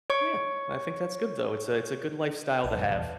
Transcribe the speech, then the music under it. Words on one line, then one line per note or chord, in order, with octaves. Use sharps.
Yeah. I think that's good, though, it's a it's a good lifestyle to have.
C#5 C#6
A#1 B4 D5 A5
F2 C3 G3
D#1 A#1 E2